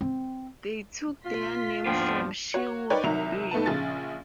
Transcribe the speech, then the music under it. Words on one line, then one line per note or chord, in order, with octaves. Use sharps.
They took their name from Sherwood B.
C4
B2 F4 C6 B6
D#2 G#2 F3 B3 D4 G5
F#4 C#5
D#4 A#4 B4 C#5 D5 G5
C2 D#3 F#3 E5 A#5 F7
G#2 A3 B3 A5
A#1 C#3 G#4 A6